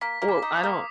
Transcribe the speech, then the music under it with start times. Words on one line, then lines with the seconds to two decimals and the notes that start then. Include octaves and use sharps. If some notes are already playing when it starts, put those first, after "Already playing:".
Well, I don't
0.01 A#3 B6
0.22 A#3
0.29 D6
0.42 D#4
0.57 D#6
0.63 A#3